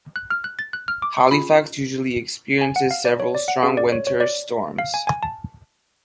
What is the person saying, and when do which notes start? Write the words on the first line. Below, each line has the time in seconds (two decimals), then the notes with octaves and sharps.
Halifax usually experiences several strong winter storms.
0.16 F#6
0.30 F6
0.44 F#6
0.59 A6
0.73 F#6
0.88 F6
1.02 D6
1.17 C#6
1.31 C#4 F4 G#4 B5
2.61 G#5
2.76 F#5
2.91 F5
3.05 D5
3.20 C#5
3.35 D5
3.48 F#5
3.63 C#4 G#4 F5
3.77 D5
3.92 C#5
4.07 C#5
4.20 D5
4.79 F5
4.94 G#5
5.07 G#5
5.23 A5